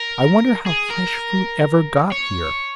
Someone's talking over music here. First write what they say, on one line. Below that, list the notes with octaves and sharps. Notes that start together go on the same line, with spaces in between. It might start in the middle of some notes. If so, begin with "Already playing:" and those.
I wonder how fresh fruit ever got here.
Already playing: A#4
G#4
A#4
C#5